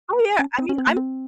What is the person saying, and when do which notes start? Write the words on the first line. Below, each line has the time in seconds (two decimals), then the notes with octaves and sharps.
Oh, yeah, I mean, I'm
0.39 C#4
0.58 C4
0.69 C#4
0.78 C4
0.87 A#3
0.97 C4